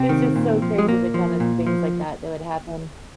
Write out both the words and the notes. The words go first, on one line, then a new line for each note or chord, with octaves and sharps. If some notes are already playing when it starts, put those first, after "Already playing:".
It's just so crazy the kind of things like that, that would happen.
Already playing: C3 C4
D#3
A#2
F3
G#3
A#2 A#3
F3
A#2
F3